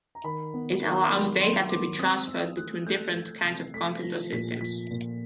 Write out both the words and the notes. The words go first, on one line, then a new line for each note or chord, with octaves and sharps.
It allows data to be transferred between different kinds of computer systems.
A#5
D#3 B5
B3
D#3
F#3 C6
F#3 C6
D#3 D6
C4 D#6
C4 E6
A3 F#6
A3 G6
A3 G#6
C3 C7
A3 B6
F3 A#6
A#2 B6
F3 B6
A#2